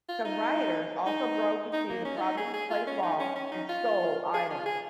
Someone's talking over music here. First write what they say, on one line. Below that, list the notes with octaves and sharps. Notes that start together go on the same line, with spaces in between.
Some rioters also broke into the Providence Place Mall and stole items.
F4
D#4
D#4
D#4
A#3
C#4
F4
D#4
G#4
G#4
F4
C#4
D#4
C#4
C#4
D#4
F4
G#4
F4
G#4